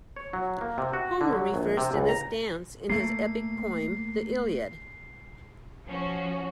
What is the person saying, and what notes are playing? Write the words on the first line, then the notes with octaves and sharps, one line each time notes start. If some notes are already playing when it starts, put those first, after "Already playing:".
Homer refers to this dance in his epic poem, the "Iliad".
C#5
F#3
A#3
C3
F#4
D3
F#3
A#1
C3
C#2
A#5
A3 A#3 C7
F3 C#4 F#4